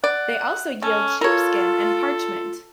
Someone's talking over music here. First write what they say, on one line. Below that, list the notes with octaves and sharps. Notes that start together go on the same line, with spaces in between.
They also yield sheepskin and parchment.
D5 F#5
C#4 A4
F4 A4 A#4 C#5